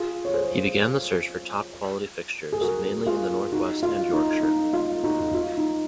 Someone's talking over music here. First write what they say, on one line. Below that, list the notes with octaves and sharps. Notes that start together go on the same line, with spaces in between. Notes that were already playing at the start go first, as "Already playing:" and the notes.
He began the search for top quality fixtures, mainly in the Northwest and Yorkshire.
Already playing: F4 G#4
C#5
G#4 C5
G#4
F#4 A#4
F4 G#4
D#4 F#4
F4
D#4
D#4
F4
D#4 F#4
F4
D#4